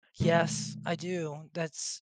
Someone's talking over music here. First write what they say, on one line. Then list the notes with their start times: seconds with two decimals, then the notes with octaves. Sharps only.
Yes. I do. That's
0.20 B2 D#3 G#3 A3